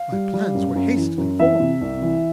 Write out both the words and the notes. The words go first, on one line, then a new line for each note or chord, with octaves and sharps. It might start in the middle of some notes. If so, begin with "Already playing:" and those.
My plans were hastily formed.
Already playing: F5
G3
G3
F#2
F#2
E3
F#2
E3 E5
C3
C2
E3